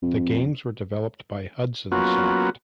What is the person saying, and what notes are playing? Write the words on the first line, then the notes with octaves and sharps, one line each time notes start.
The games were developed by Hudson Soft.
F2
F#3 A#3 B3 C#4 F4 F#4